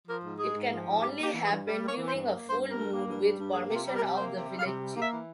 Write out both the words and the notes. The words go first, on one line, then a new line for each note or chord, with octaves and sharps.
It can only happen during a full moon with permission of the village chief.
F3 A#4
G#2
G#3 G#4
G#2
F3
G#2
G3 G4
A#3 G4
E3
G#4
G2
G3
A#3
C#5
E3
C5
G2
A#3 A#4
G2
C5
G3
A#4
G2
A#3
G2
G3
G2
A#3 G#4
C3
F4
G3
A#4
C3
A#3 C5
C3
G3
F5
C3
G3
A#3
E5
E3